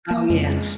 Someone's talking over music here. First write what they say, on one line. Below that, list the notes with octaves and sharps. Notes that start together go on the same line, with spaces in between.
Oh, yes.
A#3
F2 C#3 G#3
G#3